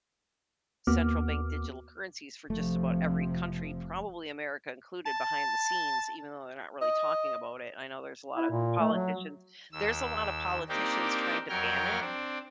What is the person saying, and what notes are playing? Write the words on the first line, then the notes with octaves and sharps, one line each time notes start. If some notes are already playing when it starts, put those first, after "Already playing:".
central bank digital currencies for just about every country, probably America included behind the scenes, even though they're not really talking about it. I know there's a lot of politicians there's a lot of politicians trying to ban it.
D#2 A#3 B3 F#4 D6 F6
F1 C3 F3 A3
A5
D#5
E4
A#2
A3
F#3
D#2 E6
A#3 C4 D4 D#4 G4 A#4
F2 F#3 A#4 C#5 G5 F6
C4 D4